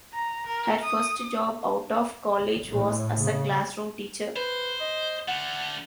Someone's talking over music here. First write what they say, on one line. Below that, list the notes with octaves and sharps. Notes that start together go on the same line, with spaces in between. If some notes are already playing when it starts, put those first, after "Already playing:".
Her first job out of college was as a classroom teacher.
A#5
A#4
D#6
A2
C#3
B4 C5
D#5
D3 A3 F#5